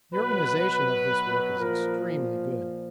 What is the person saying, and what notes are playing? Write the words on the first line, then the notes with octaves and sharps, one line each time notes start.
The organisation of this work is extremely good.
B2 F#3 B4
A#2 F3 A#4